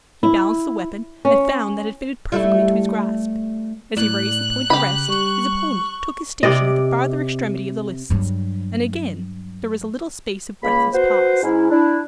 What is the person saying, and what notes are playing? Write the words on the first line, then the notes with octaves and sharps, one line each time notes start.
He balanced the weapon, and found that it fitted perfectly to his grasp. As he raised the point to rest, his opponent took his station at the farther extremity of the lists, and again there was a little space of breathless pause.
E4
C#4
G3 A3 E4
A2 D5 F#6
C#3 G4 B5
G3 C#6
C3 D5 D#5
G2 F#3
C#2 A#3 B5
F#4 B4 C5
G#2 C#4 E4
D4 E4